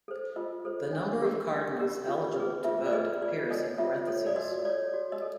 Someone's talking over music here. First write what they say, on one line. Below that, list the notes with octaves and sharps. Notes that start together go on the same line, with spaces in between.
The number of cardinals eligible to vote appears in parentheses.
A4 C5
F4 D#5
A4 C5
D4
G4 A#4
D4
G4 A#4
F4
G#4 B4
F4 E5
D5
G#4 B4 D#5
F4 D5
A4 C#5 D#5
F4 E5
A4 C#5
D5
F#4 D#5
A4 C#5 D5
F#4
D#5
A4